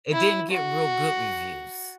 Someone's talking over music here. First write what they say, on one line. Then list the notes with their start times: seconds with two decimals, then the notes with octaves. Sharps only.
It didn't get real good reviews.
0.12 E4
0.51 F#4